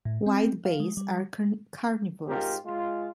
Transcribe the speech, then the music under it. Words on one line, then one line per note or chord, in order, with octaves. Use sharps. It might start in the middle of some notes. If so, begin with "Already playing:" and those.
White bass are carnivores.
A2
C4
F5
G#3
G3
G#2 C4 F4 G4 A#4
G#3 F4